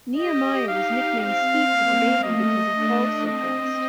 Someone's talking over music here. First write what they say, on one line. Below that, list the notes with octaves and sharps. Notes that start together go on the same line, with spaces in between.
Nehemiah was nicknamed "Skeets" as a baby because he crawled so fast.
G4 D#5
D#4 F5
C4 F5
A#3
A3 D#5
D4
C4 D#5